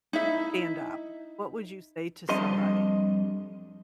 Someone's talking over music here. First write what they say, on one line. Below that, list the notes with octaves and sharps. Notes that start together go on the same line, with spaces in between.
stand up? What would you say to somebody?
D#4 E4 E5
F2 G3 D4 D#5 C6